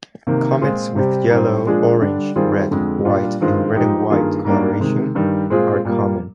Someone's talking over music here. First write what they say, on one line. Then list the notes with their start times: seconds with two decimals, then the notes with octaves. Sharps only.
Comets with yellow, orange, red, white, and red-and-white coloration are common.
0.27 C3 D#3 A#3
0.61 A#2 G#3 C4 F4 G#4
0.96 C3 G3 C4 G4
1.31 G#2 G3 C4
1.66 A#2 F3 G#3 D4 G#4
2.01 D3 G3 D4
2.36 D#3 G3 C4 F4 G#4
2.71 F2 D3 G#3
3.05 A#2 G3 D4 F4
3.41 G2 D#3 G#3 C4 F4
3.76 G#2 F3 G#3 D#4 G4
4.10 G2 D#3 A#3 F4 G#4
4.45 G#2 G3 A#3 D4
4.80 C3 D#3 G#3
5.15 G2 D#3 G3
5.50 A#2 G#3 C4 F4 G#4
5.85 A#2 G3 A#3